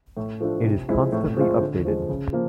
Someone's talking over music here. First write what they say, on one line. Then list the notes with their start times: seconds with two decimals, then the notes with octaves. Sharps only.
It is constantly updated.
0.17 A2
0.40 F3 A3 D4 F4
0.65 C3
0.88 F3 G#3 C4 E4
1.12 A2
1.36 F3 G#3 C4 F4
1.61 D3
1.85 F3 G#3
2.09 C#3
2.33 F3 A#3